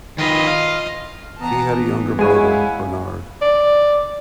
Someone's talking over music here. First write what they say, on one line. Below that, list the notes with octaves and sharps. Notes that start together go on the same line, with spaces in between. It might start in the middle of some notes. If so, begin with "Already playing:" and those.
He had a younger brother, Bernard.
D#3 F4 B4 D#5
F5
E3 B3 A5 A#5
G#3 E4 G#4 C#5 F5 F#5 G#5
D5